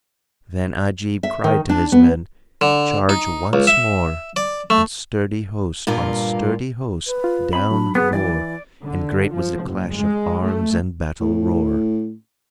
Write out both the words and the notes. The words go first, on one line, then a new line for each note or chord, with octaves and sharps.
Then Ajib cried to his men, "Charge once more," and sturdy host on sturdy host down bore and great was the clash of arms and battle-roar.
E5
D#3
D4
B3
D3
D#4
C#2
E5
D5
A3
G2 A#2 A#3 F4
B4
F4
C4 B5
F#3 D4
B3 G#4
E3 D5
D3
F3
F#1
G#3
A3
A2